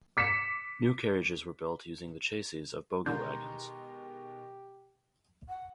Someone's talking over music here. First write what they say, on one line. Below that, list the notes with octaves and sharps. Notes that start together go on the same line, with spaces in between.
New carriages were built using the chasses of bogie wagons.
D6 B6 C#7 E7
B2 D3 D#3 G#3 G4 A#5 C6 G6
F#5